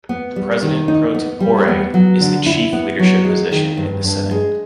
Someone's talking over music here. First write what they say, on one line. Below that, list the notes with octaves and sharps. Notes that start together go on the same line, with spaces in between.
The President pro tempore is the chief leadership position in the Senate.
B3
G3
D#3
D#4
B3
G3
B3
F#3
D3
E4
B3
F#3
G#3
D#3
G2
G2
G#3